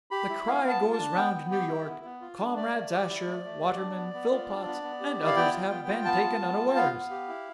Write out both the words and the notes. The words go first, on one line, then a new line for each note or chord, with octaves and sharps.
The cry goes round New York, 'Comrades Asher, Waterman, Philpotts, and others have been taken unawares.
G4 B5
E4
B3 F5
B3
A5
F4
D4 A5
B3 G5
B3
G4 G5
E4
B3
B3
F4
D4
A3 D5
A3
G4
E4
A3
A3
G4
D4
B3
B3
F4
D4
B3
B3
G4
E4
F5
B3 G5
F4
B3
F4
B3 A5
F4
B3
F4
B3 F5
B3
G4
E4